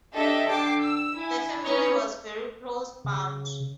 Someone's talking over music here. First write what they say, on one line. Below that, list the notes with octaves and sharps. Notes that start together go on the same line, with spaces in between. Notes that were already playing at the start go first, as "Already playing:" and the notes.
The family was very closely bound.
D4 G4 A4 D#5 E5
D3 G5 A5 D6 C7
E6
E4 G#5
C#4 D#4 B4 C#5
C#3